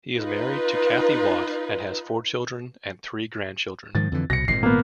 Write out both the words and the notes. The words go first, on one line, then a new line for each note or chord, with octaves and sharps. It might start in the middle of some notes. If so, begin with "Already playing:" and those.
He is married to Cathy Watt, and has four children, and three grandchildren.
D#4 F4 B4
G#2 D#3 F3 A6
F2 D3 E3
C2 B2 A#6 C#7
G#1 A#2 D#3 C7
A#3 B3